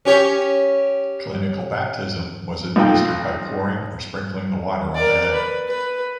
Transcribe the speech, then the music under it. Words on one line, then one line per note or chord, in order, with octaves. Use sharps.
Clinical baptism was administered by pouring or sprinkling the water on the head.
C#4 G4 C#5
B1 F4 A4 G5
A#4 D5
B4
B4